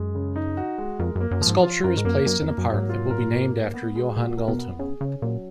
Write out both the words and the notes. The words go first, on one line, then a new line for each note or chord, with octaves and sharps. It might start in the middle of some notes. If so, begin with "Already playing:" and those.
The sculpture is placed in a park that will be named after Johan Galtung.
Already playing: F#2 G#3
C#3
D#4
F#4
G#3
F2 A#4
F#2
A#3
F#2
F3
G#2
F4
F#2 A#4
G#2
F#2 A#3
F#2 A#4
F2
A#3
F#2
F#3
G#2
F4
A#4
A#3
A#4
B3
G#3
A#2 F#4
A#4
B2
B3
C#3 G#4
C#3 C#4
A#2 F#3